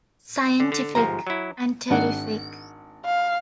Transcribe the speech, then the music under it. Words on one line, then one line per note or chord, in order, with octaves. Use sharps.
Scientific and terrific.
D3
D3
G1 G#2 F3 A#5
F#3 E4
G#1 D4 F#5
F5